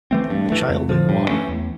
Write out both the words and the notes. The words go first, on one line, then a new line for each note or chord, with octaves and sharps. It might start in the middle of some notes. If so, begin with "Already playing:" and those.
A child in water.
E3 A3 C4
G2
E3 A3
F2
D3 F3
G2
E3 A3 C#4
E2